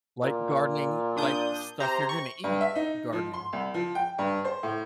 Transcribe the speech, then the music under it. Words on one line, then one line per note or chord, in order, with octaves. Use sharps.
Like gardening like stuff you're gonna eat gardening.
A#2
D4 D#6 G6
C3 C5 A#5
C#6
G2
E5
D#4
F3
C6
C2
F3
G5
G2
C5
A2